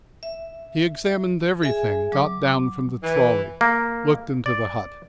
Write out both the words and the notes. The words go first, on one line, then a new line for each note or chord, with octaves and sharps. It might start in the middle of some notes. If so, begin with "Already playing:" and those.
He examined everything, got down from the trolley, looked into the hut.
E5
G#4 E5 G#5
F#3 D6
E3
A#3
D5